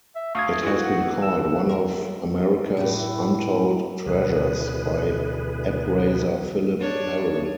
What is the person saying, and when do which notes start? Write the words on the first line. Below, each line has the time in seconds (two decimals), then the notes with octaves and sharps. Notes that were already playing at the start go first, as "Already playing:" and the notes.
It has been called one of "America's Untold Treasures" by appraiser Phillip Merrill.
0.15 E5
0.35 D2 F5 C#6 D#6 G#6
0.63 E3 A3 F#4 G#4
0.84 F#5
1.22 E6
1.69 A#4
2.77 A2 E3
4.06 D2 B2 D3 E3 G#4 B4
6.80 D4 C#5